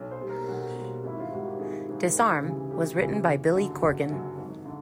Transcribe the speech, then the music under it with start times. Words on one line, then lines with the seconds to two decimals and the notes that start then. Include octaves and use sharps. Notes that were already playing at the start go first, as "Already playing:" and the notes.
"Disarm" was written by Billy Corgan.
Already playing: B1 C#5
0.11 C5
0.21 B2 G3 A#3
0.29 A#4
0.48 B1 F#4
0.75 B2 G3 A#3
1.04 G#1 E4
1.20 F4
1.31 G#2 D#3 G3 F#4
1.46 G4
1.59 G#1 G#4
1.88 G#2 D#3 G3
2.15 D2
2.43 C#3 E3 G3
2.71 D2 G4
2.98 C#3 E3 G3
3.27 F#1
3.55 F#2 D3 F#3
3.82 F#1 F#4
4.09 F#2 D3 F#3
4.38 G#1
4.65 D3